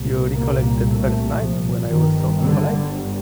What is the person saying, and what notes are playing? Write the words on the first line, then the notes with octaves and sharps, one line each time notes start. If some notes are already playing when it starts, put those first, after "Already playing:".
You recollect that first night, when I was so unpolite?
Already playing: C2 A#2
A#3
A3
F3
G1 G2 D#3
D3